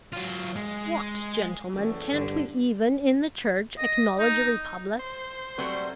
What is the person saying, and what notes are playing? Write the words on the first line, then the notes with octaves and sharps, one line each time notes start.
What, gentlemen, can't we even in the Church acknowledge a republic?
F#3 F4
G#3
F#1 E2 A2
G2 D3
D#5
D#4
C5
F#3 G3 A3 C4 F#5